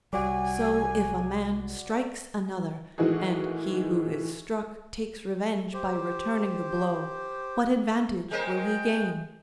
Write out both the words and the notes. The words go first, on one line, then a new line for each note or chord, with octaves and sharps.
So if a man strikes another, and he who is struck takes revenge by returning the blow, what advantage will he gain?
C2 G3 F#4 D5 G#5
A2 D#3 E3 G#3 F#4 G#4
G4 C5
G#3 A#4 C5 G5